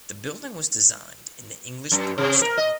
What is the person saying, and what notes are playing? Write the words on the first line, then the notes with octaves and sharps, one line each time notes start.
The building was designed in the English Baroque style.
F#2
C3
A#4
D#5